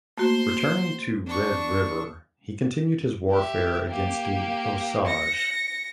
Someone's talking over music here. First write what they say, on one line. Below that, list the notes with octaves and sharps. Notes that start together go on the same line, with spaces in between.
Returning to Red River he continued his warfare against the Osage.
A3 A#3 F#4 C5 C6
D4 C#6
G4 E5
A#3 G4
A#6 C#7